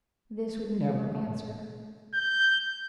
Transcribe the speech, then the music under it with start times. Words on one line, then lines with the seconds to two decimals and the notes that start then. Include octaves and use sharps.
This would never answer.
2.14 G6